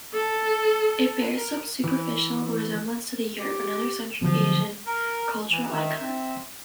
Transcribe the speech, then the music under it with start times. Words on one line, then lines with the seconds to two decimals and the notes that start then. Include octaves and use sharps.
It bears some superficial resemblance to the yurt, another Central Asian cultural icon.
0.13 A4
1.36 A#4
1.84 E3
3.39 G4
4.21 D3 F3 F#3 B3
4.86 A#4
5.50 E3
5.71 D#3 E5
5.99 C4